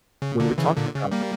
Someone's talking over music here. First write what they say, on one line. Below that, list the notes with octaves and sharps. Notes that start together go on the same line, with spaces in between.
when we're talking about
C#3
A#2 D3
C#3 E3
A#2 D3
C#3
G3 A#3